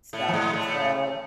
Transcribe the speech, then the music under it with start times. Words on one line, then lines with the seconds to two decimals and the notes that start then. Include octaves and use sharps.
stuff so,
0.13 A2 A3
0.28 F3
0.33 G#2 G#3
0.53 A2 A3